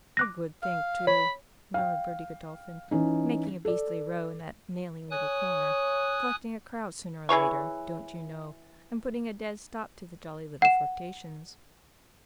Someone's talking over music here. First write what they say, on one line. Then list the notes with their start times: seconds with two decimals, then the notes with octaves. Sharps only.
"A good thing, too!" murmured Bertie Godolphin, "making a beastly row in that 'nailing' little corner, collecting a crowd sooner or later, don't you know, and putting a dead stop to the jolly little flirtations."
0.17 D6 F#6 A#6
0.63 F5
1.07 C#5 B5
1.74 F5 G5
2.91 E3 C#4 D#4
3.65 A4 D5
5.11 C#5 G#5 D#6 F#6
7.29 E3 G#4 C#5 C#6
10.62 F#5 E7